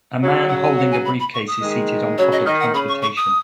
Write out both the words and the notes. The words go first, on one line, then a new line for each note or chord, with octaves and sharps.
A man holding a briefcase is seated on public transportation.
C#3 F#3
C#3 F#3 F#5
G#5
F#5
G#5
B5
B5
C#6
D#6
D#3 G#3
C#3 F#3 C#5
D#5
D#3 D#5
F#5
C#3 B5
C#6
C#6
D#6